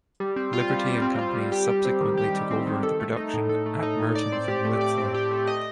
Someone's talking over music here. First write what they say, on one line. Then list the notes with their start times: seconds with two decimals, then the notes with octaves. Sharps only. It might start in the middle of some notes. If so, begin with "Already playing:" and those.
Liberty and Company subsequently took over the production at Merton from Littler.
0.20 G3
0.36 C4
0.53 F4
0.70 G3
0.86 G3
1.02 C4
1.19 F4
1.35 G3
1.52 G4
1.68 G3
1.85 C4
2.01 D#3
2.18 G4
2.34 G3
2.51 C4
2.67 D#3
2.83 A4
3.00 A3
3.17 D#4
3.34 A2
3.49 A4
3.66 A3
3.83 D#4
3.99 A2
4.15 D5
4.32 C4
4.48 G4
4.65 A3
4.81 D5
4.97 C4
5.14 G4
5.31 A3
5.48 D#5